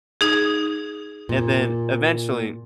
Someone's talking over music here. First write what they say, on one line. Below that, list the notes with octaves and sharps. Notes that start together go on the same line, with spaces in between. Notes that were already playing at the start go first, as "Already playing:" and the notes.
and then, eventually,
D#4 G#4
A#2